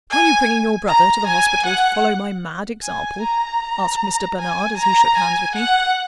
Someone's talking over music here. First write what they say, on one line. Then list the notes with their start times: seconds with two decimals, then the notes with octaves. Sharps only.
"Are you bringing your brother to the hospital to follow my mad example?" asked Mr. Bernard, as he shook hands with me.
0.10 G#5
0.87 A#5
1.26 G#5
1.65 F#5
2.83 G#5
3.22 A#5
4.38 G#5
4.77 A#5
5.17 G#5
5.55 F#5